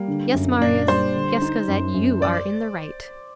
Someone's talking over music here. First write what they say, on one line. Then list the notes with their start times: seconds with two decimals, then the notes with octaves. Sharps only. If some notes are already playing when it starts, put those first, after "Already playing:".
Yes, Marius, yes, Cosette, you are in the right.
Already playing: G3 A#3
0.08 D3
0.34 F#2
0.61 A#2 D4
0.87 G3 C5
1.14 D3
1.42 D#4
1.68 F#2
1.94 F#2
2.22 D5